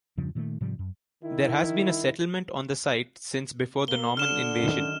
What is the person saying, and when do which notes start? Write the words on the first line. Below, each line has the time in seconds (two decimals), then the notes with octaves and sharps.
There has been a settlement on the site since before the Norman invasion.
0.17 E2 G2 C#3 F3
0.35 A#2 D#3 G#3 A3
0.61 G#2 C3 F3 G3
0.79 F#2
1.23 D#3 E4
3.88 A#3 G7
4.17 D3 F6 E7
4.59 F#2 D#3